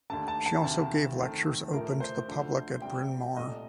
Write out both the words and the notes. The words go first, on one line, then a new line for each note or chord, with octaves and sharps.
She also gave lectures open to the public at Bryn Mawr.
D#2 D3 A3 A5
A5
A5
D2 C3 D#3 A5
F2 D#3 A3
A#1 A2 F3 A3 A#4
C5
D2 D3 F3 A3
C2 C3 G3 G5
C2 A#2 A3 D#5